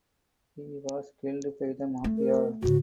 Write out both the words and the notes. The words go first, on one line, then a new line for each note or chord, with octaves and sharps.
He was killed by the mafia.
A3
A#4
G#2 C#3 F#4